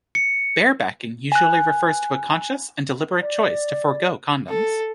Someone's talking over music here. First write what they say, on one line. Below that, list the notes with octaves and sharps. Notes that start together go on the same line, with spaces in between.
"Barebacking" usually refers to a conscious and deliberate choice to forgo condoms.
C#7
G#5 F#6
D5
A4